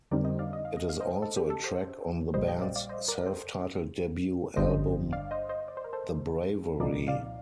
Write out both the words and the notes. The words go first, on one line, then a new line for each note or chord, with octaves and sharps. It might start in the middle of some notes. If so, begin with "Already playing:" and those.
It is also a track on the band's self-titled debut album, "The Bravery".
F2 D3 G3 C4 D#4 A#4 D5
C5 D#5
D5 F5
D#5
F5
D#5
F5
C5 D#5
A4
G4
A4
A4 C5
A#1 A#2 G3 C5 D#5
D#5 G5
D5 F5
D5 F5
C5 D#5
A#4 D5
A4 C5
G1 G2 D3 G3 D4 C5 D#5
D5 F5
C5 D#5
C5 D#5
D5
C5
A#4
A4 C5
C2 A#2 F3 C4 D#4 A#4 D5
D5 F5